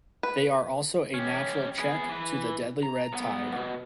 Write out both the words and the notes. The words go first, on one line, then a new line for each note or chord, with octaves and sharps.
They are also a natural check to the deadly red tide.
B4
C#4 G4
B3 G#4
E3 B4
A#5
B1 B3
G2 B2